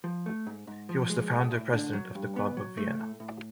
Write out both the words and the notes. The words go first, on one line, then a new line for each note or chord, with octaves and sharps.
He was the Founder President of the Club of Vienna.
F3
A3
G#2
G#2
F3
G#3
A2
A2
D3
F#3
G2
B3
F#3
A3
A2
A2